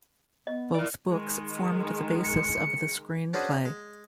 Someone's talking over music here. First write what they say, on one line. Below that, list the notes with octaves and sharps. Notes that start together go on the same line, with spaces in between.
Both books formed the basis of the screenplay.
B3 D#5
E4 A#4 D5
D#3 G#3
C#7
C#4 D4 F#4 G#4 B4 C5
G#3